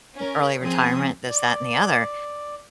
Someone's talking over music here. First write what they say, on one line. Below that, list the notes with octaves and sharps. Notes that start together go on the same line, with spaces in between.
early retirement, this, that, and the other,
C#4 A#4
F3 C4 G#4 D#6
D5